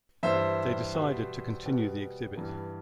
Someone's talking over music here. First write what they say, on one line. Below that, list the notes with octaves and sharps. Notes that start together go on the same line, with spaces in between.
They decided to continue the exhibit.
G2 E3 G3 C5 E5
B2 G3
B2 G3
G2 E3 G3